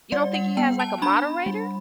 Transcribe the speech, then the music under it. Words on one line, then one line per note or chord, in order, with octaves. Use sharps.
You don't think he has, like, a moderator?
G3 D5
F#5
B3 G5
A5
D4 B5
G3